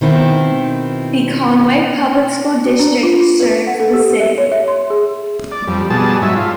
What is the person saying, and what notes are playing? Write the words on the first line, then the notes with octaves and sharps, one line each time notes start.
The Conway Public School District serves the city.
B2 D#3 C4 E4
F#4
D4
F4
B4
F#5
A4
G4
E5
C#5
E5
C6
G#4
D5
F2 G3
B2 G3 G#4 A5
G#2 F#3 E5
F4